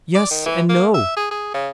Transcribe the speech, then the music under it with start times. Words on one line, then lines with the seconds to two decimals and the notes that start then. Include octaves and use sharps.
"Yes and no."
0.15 D5
0.31 D#3
0.46 E3
0.69 A#3
0.95 E5
1.17 G#4
1.31 G#4
1.54 C#3